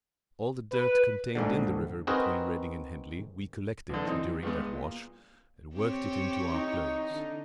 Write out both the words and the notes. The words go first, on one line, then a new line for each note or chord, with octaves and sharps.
All the dirt contained in the river between Reading and Henley, we collected, during that wash, and worked it into our clothes.
B4
A#1 G#2 D3
C4 D#4 F#4 G#4 A#4 B4
B1 D3
E3 C4 D#4
G2 G#3 B3
A#2
C4 G4 C#5
D#4
D3